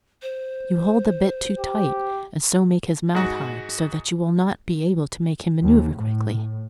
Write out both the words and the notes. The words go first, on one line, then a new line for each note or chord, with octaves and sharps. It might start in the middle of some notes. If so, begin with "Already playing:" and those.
You hold the bit too tight and so make his mouth hard, so that you will not be able to make him manoeuvre quickly.
C5
G4
G#2 F#4
D#2
A2